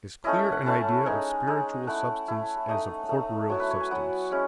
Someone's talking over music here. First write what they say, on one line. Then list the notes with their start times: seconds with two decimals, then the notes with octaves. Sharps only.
As clear an Idea of spiritual substance as of corporeal substance.
0.24 A3 C#4 E4 D#5
0.39 E5
0.52 F#5
0.66 A3 C#4 E4 A5
1.06 G#3 D#4 G#5
1.47 G#3 D#4
1.87 A3 E4 F#5
2.28 A3 E4
2.69 A3 D#4 D#5
3.09 A3 D#4
3.49 F#3 B3 E4 C#5
3.60 B4
3.71 C#5
3.80 G#5
3.91 F#3 B3 E4 F#5
4.31 G#3 C#4 E4